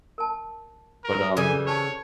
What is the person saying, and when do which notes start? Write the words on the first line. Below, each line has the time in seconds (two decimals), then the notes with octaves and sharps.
but um,
0.18 A#4 A5
1.04 A#4
1.37 C#3 E3 G3 A4 G#5
1.66 G4 C5 C#5 A5